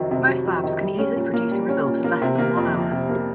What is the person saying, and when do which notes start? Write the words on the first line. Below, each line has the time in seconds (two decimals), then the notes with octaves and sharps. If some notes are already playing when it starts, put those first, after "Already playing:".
Most labs can easily produce a result in less than one hour.
Already playing: F2 C3 D#3 F#3
0.11 C3
0.28 F#3
0.46 F2
0.63 D#3
0.81 G3
0.99 C#4
1.16 A#2
1.34 A#3
1.51 G3
1.69 C#4
1.86 A#2
2.04 A#3
2.22 C3
2.38 A#3
2.56 F2
2.73 F3
2.92 C3
3.09 A#3